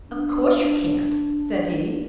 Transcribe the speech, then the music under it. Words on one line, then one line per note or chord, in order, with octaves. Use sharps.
"Of course you can't," said he.
D4